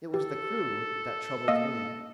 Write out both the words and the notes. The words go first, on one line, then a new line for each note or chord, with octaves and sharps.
It was the crew that troubled me.
G4 A4
A#3 D#5 F5 E6